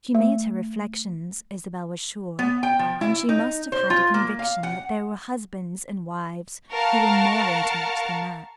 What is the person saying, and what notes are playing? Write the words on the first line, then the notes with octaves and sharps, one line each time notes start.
She made her reflexions, Isabel was sure; and she must have had a conviction that there were husbands and wives who were more intimate than that.
A3
B3
G5
F3
E4
D#4
C5
F4
A#3
F5
F#5
A#4 F5 F#5 A5 C#6